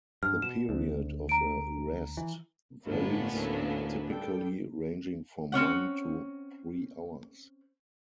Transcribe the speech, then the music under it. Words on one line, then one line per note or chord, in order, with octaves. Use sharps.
The period of a "rest" varies, typically ranging from one to three hours.
G2 F6
B2 E7
D2
A#5 D7
E3
G1 A2 A#3 B3 C#4 D4
D2 E4 A4
G3 A4 G5
C4 C#4 C#5 F#5